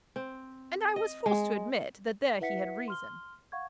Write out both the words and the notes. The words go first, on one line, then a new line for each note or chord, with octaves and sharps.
And I was forced to admit that there he had reason.
C4
D#5
G#3
E4 B4 E5 F#5 B6 C#7
C6 F6 G7
F5 F#5 C#6 G#6